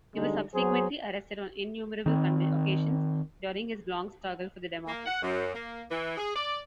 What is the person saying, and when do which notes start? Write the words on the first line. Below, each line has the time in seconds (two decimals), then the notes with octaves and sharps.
He was subsequently arrested on innumerable occasions during his long struggle for the democracy.
0.15 D3 G3 G#3 D#4
0.54 F#3 B3 G#4 C5
2.06 D#3 C4
4.87 A#3
5.06 F#5
5.22 F#2
5.54 A#3
5.90 E3
6.17 G#4
6.36 D5